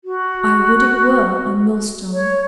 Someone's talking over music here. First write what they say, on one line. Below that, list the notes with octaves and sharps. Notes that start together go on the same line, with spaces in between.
I would it were A millstone!
F#4
C#5